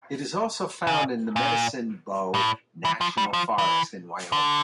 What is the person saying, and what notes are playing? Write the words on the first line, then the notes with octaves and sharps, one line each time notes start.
It is also found in the Medicine Bow National Forest in Wyoming.
C#3
A#2
A2
E3
F3
G3
F3
E3
D3